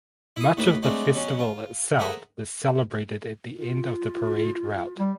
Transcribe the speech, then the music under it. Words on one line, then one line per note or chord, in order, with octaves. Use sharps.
Much of the festival itself is celebrated at the end of the parade route.
E4 D#6
D#2 A2 D#3 A#3 B4 B5
F#3 G#3 A3 C4 D4 F#4
B2 F#3 C#4
F4
A3 G#4 A#4 C5 E5 F#5
F4
G3